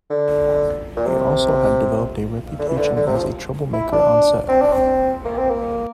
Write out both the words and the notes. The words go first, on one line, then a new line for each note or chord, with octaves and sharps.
He had also developed a reputation as a troublemaker on set.
D3
A#2
C3
D3
E3
D3
D3
C3
F3
E4
D4
C4
D4
C4
A#3
C4
A#3